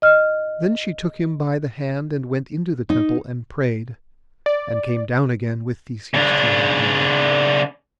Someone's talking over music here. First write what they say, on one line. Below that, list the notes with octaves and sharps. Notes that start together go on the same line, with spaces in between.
Then she took him by the hand, and went into the temple and prayed, and came down again with Theseus to her home.
D#5 F6
D#4
D5
C#3 D4